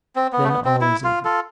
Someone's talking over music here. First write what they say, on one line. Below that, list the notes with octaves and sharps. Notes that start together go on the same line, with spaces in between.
Then all is over.
C4
B3
A3
B3
C4
E4
F4
F4 A4